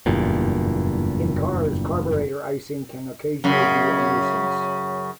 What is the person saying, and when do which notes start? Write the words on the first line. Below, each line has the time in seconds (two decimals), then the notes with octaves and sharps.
In cars, carburetor icing can occasionally be a nuisance.
0.06 F#1 E2 G2 A#2
3.44 F#2 C#3